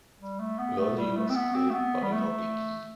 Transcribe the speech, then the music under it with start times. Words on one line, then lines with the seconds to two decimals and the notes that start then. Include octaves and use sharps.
Roly was played by Robbie Gee.
0.20 G3
0.39 A3
0.59 B3
0.78 A3
0.97 G3
1.16 A3
1.29 C4
1.35 B3
1.55 C4
1.70 A3
1.74 B3
2.03 G3
2.13 A3